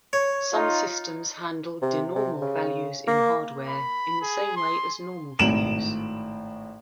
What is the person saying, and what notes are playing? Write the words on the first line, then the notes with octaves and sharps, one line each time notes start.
Some systems handle denormal values in hardware, in the same way as normal values.
C#5
D#4 F4
C3
C3
C#3
A#3
B5
G#4
C6
G#1 A2 D7 E7 F#7